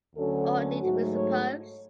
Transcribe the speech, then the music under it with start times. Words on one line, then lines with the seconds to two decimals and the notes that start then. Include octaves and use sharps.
Or need we suppose?
0.16 D2 D3 F#3 C#4 A4
0.80 G#2 F#3 A3 F#4
1.14 C#5